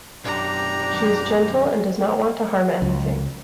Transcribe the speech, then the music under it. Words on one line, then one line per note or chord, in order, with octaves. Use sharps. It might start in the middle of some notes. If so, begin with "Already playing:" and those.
She is gentle and does not want to harm anything.
B1 F#2 D4 G4 A#5
C#2